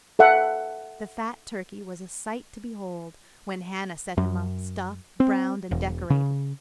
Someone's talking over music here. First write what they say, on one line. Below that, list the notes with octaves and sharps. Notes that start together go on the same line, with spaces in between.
The fat turkey was a sight to behold, when Hannah sent him up, stuffed, browned, and decorated.
A4 E5 F#5
F#2
C4
E1
C#3